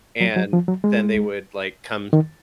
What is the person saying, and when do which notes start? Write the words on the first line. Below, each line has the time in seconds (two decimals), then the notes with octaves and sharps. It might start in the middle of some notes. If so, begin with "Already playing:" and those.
And then they would, like, come
0.21 F#3
0.36 F#3
0.53 F3
0.68 F#3
0.84 G#3
2.13 D#3